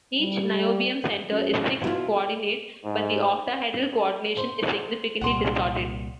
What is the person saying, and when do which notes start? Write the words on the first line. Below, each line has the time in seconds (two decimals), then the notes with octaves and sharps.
Each niobium centre is six-coordinate, but the octahedral coordination is significantly distorted.
0.19 G3
1.31 F#2
1.84 B2 E4 F4
2.85 G#2
4.37 C5
5.21 C2 A#2 G3 F#5 C6